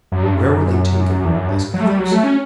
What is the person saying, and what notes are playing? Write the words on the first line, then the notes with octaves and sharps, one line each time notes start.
"Where were they taken?" asked Athos.
F#2
G2
F#2
E2
F#2
G2
F#3
A3
G3
F#3
A3
C#4